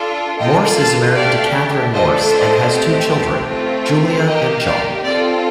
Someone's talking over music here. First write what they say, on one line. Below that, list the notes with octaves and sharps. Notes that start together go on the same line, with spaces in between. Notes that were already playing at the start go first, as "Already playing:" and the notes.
Morse is married to Kathryn Morse and has two children, Julia and John.
Already playing: D4 F4 A4
A#3 F4 A4 D#5 G5
F5 A5
A3 D4 G4 D5 F5
A3 D4 F4 A4 C5 D#5
C5 D#5
A3 C4 G4
A3 C4 F4
A#3 D#4 G4 D#5 G5
D5 F5
C4 F4 A4 D5